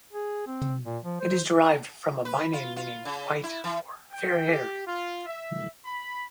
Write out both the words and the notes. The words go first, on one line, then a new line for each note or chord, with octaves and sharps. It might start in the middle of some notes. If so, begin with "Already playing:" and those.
It is derived from a byname meaning "white" or "fair-haired".
G#4
C4
A#2
F3
C5
B4
F4
F4
C#3
E4
E3
G5
G4
F4
E5
B5